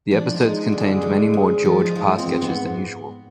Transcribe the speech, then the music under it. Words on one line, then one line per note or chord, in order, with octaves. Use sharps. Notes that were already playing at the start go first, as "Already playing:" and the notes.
The episodes contained many more George Parr sketches than usual.
F3 D4
D#4
G#3
D3
G#4
G#3
G#2
F3
D#4
G#3 F4
C4
G#2
B3